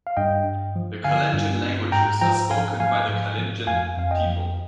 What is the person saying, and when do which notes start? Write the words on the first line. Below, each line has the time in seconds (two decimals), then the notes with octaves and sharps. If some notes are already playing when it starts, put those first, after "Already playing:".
The Kalenjin languages are spoken by the Kalenjin people.
0.07 F5
0.17 G2 D#5 G5
0.46 G2
0.76 F3
1.04 D3 F5 G#5
1.34 G2
1.63 G2
1.92 G#2 G5 A#5
2.21 F3 G5 A#5
2.51 G#2 F5 G#5
2.80 F3 F5 G#5
3.09 G#2
3.38 F3
3.67 F2 F5 G#5
3.97 F2 F5
4.11 D#5 G5
4.26 F3